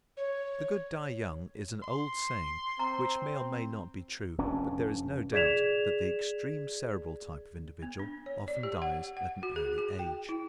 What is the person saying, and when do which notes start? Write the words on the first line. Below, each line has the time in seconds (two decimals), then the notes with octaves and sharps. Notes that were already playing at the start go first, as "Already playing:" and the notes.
"The good die young" is an old saying which may or may not be true. But there is no doubt that the extreme Cerebral type of individual often dies at an early age.
0.17 C#5
1.83 C6
2.79 C4 A#5
4.38 F1 C#4 D4
5.33 G#4 D5 G#6 B6 E7 F7
7.82 B3
7.99 D4
8.26 C#5
8.48 D5
8.63 G4
8.82 F#5
9.17 F#5
9.43 F#4
9.56 G#4
9.78 F#4
9.99 G5
10.29 E4